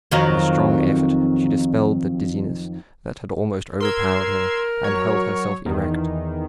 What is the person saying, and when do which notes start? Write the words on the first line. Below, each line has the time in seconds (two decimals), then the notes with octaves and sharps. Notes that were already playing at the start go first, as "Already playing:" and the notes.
With a strong effort she dispelled the dizziness that had almost overpowered her, and held herself erect.
0.11 F2 D#3 F#3
3.80 A#4 C6 E6 G#6
4.84 F#3 C#5
5.66 E2 D#3